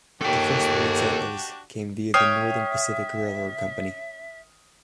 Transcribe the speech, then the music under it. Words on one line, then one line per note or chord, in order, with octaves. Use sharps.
The first white settlers came via the Northern Pacific Railroad Company.
D#2 D4 F#4 G4 A4 G5
C#5 E5 G5 D#6 F6 C7